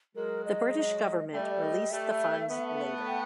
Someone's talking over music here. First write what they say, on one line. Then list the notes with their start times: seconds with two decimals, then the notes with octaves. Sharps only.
The British government released the funds later.
0.16 F#3 G#3 A#4
0.46 D#5
1.32 G3 A3 D5
1.43 D#5
1.51 D5
1.62 D#5
1.91 G3 A3 E5
2.49 A3 B3
3.07 G5